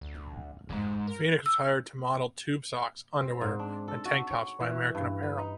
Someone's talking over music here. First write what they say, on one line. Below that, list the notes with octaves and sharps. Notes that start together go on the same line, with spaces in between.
Phoenix was hired to model tube socks, underwear, and tank tops by American Apparel.
D2
F1 E2 G#2
A#4
E6
C4
G#2
D4
A4
F#4
C#5
E3
G2
B4
D#4